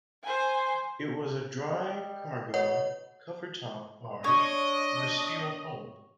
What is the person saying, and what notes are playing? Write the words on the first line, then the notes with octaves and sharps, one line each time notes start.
It was a dry cargo cover-top barge with a steel hull.
C5 G#5
G3 D#5
B2 C#5 D#5 F#5
D4 C#5 D#5